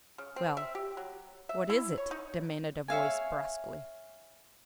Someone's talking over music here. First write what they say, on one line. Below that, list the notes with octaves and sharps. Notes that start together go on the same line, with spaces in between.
"Well, what is it?" demanded a voice brusquely.
C#3
C4
E5
G4
F#3
E5
E4
C#5
D#4
C#5 E5 F5 G#5